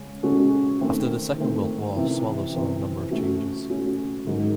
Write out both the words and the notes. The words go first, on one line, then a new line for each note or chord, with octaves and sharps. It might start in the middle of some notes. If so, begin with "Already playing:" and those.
After the Second World War, Swallow saw a number of changes.
Already playing: C#3 G#3 C#4
C#3 G#3 C#4 F#4 A4
D#3 A3 C4
D#3 A3 C4
C3 E3 C4 E4
C3 E3 C4 E4
A3 C#4 F#4
A3 C#4 F#4
G#2 D#3 F#3